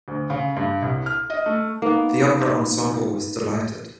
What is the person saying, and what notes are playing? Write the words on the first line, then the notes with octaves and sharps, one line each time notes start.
The opera ensemble was delighted.
D2
C#3
G2
C2
F6
D#5
A3
A#3 B3 D#4 B4